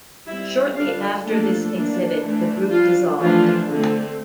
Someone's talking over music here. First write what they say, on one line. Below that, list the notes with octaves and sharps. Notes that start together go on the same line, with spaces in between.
Shortly after this exhibit, the group dissolved.
G3 C4 E4 E5
D3 G3 D4 F4 F5
F3 A3 A#3 D4 A4
E3 A#3 D4
E3 A3 D4
F3 G3 D4 F4
E3 F3 A3 D4 F4
D3 A3 C4